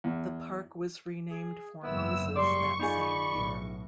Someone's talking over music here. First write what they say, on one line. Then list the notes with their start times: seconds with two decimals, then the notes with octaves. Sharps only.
The park was renamed for Moses that same year.
0.04 E2
1.30 G#4
1.83 F#1 G#2 B3 C4 E4 E6
2.36 G3 D5 C6 C#6
2.79 D#4 F4 G#4 D5 B5
3.31 B1 A2